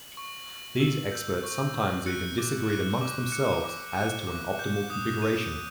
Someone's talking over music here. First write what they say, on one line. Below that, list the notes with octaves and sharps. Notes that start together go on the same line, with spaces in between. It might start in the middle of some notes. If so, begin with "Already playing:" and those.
These experts sometimes even disagreed amongst themselves as to an optimal configuration.
Already playing: F#7
C#6
C#6
E6 F#7
G6
C#6
C#6
F#6 C#7
D6
F#6
D6
F#6 C#7
D6
F#6
D6
G6
D#6
G6 D#7
D#6